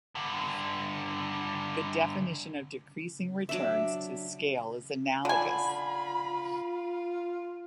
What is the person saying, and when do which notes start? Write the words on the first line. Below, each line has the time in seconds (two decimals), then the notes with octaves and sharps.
The definition of decreasing returns to scale is analogous.
0.15 G2 D3
3.49 F#3 D4 E5
5.25 D3 F4 G#5 B5